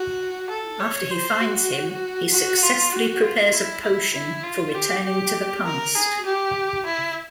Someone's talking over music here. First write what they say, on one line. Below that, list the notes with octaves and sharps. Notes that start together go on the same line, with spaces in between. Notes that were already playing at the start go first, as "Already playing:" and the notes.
After he finds him, he successfully prepares a potion for returning to the past.
Already playing: F#4
A4
C#5
C5
F#4
F#4
F4
F#4
F4
E4
E4
E4
F4
G4
G4
A#4
G#4
G4
E4